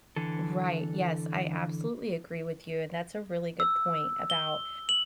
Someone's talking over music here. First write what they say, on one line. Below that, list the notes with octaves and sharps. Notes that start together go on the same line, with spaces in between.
Right, yes, I absolutely agree with you, and that's a really good point about,
D3 E3 A4
E6
G7
F#7